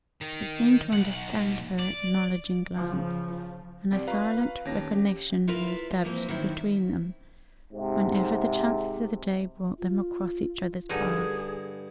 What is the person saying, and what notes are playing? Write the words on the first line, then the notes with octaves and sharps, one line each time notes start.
He seemed to understand her acknowledging glance, and a silent recognition was established between them whenever the chances of the day brought them across each other's paths.
D#3
B1 F#5
D5
C#3 F3
C2 C4 G4 D5
F4 B4 F5 A#5 C#6
D#2 C#4 G4 C#5 A#6
G4
E4 F4 A#4 B4
E3 F3 A#3 C4
D#3 F#3 C4 E4
G#2 C3
F4
G2 D3 D#4 G#4 G#5